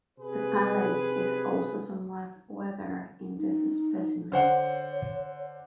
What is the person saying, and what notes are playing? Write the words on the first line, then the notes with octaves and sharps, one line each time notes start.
The palate is also somewhat weathered in this specimen.
C3 G#4 B4
D#4
D3 C5 C#5 F#5